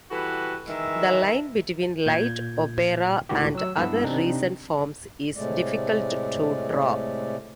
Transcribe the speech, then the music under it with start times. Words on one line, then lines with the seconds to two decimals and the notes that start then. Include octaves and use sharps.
The line between light opera and other recent forms is difficult to draw.
0.11 E3 G3 F#4 A4 B4
0.68 D#3 E3 G#3 E5
2.06 A#2 G6 G#6
3.29 C#2 A2 D#3 E4 F#4 G4
3.55 F#3 E6
3.76 G2 B3 E4 A4 E6
4.04 C3 C4 D4 D#4
5.36 A2 C3 G#3 A3 D5